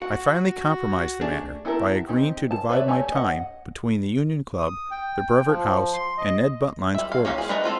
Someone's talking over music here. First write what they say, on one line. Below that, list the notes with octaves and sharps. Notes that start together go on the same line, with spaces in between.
I finally compromised the matter by agreeing to divide my time between the Union Club, the Brevoort House, and Ned Buntline's quarters.
F#4 F#5
A3 D4 G#4
B3 E4 G4 A4 A#4
C4 D#4 G4
A5
B4 C#5 D5 E5
A3 G4 C#5 G#5
D#5 F#5
D#6
G5
F3
C6
D#5
G3 E5
F5
A#3 C#4 G4 F5
G#4 F5
A3 D4 A#4 B4 D#5
C4 F4 A4